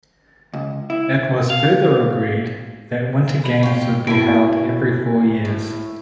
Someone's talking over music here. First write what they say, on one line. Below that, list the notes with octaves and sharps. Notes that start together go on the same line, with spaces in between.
It was further agreed that Winter Games would be held every four years.
C#2
E4
F5
B5
F4 C#5 G5
B2 A3 B3 E4 G5 G#5
A2